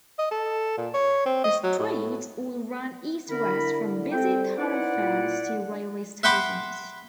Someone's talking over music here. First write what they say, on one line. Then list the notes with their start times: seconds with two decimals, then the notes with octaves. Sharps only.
The streets all ran east-west from busy thoroughfares to railway stations.
0.19 D#5
0.31 A4
0.78 A#2
0.94 C#5
1.26 C4
1.44 D#5
1.63 F#3
1.79 A2
3.30 D3 E4 A#4 B5
4.12 G3 C4 A4 C5 G5
4.58 D#4 E4 B4 C5 D5 F#5
4.96 A#2 F4
5.54 D3
6.23 E5 F#5 G5 B5 C6 D6